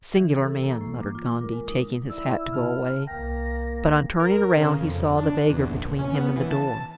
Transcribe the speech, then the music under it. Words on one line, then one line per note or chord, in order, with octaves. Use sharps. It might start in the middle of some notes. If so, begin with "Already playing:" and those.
"Singular man!" muttered Gondy, taking his hat to go away; but on turning around he saw the beggar between him and the door.
E3
A4
E6
A#3
A2
D6
F4
D6
A#4
G#3
D#4
E4 D5 E6
C3 A5 F6
C2 A#3 G5 A#6
A#4
C#3
F2
D4
E2
A#1
C#4
B3
E3
A5